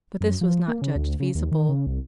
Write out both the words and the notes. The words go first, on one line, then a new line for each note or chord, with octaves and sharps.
But this was not judged feasible.
F#2
F3
A#3
C#3
D2
C#3
D#2
D#3
C#3
C2